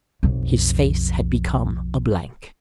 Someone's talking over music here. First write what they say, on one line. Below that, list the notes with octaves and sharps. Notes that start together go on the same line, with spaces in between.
His face had become a blank.
B1 F2